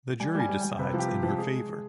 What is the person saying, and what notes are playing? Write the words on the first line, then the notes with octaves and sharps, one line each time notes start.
The jury decides in her favor.
G3 G#5
G3 G#5
G3
G3 G5
C3 B4
F3 G4
F3
F3
G#3 G#4